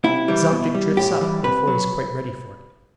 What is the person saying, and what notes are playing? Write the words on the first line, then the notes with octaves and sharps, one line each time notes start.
His object drifts up, before he is quite ready for it.
C3 E4
E3 G3
B2
G3
A2 G4
E3 G3
C3 B4
F#3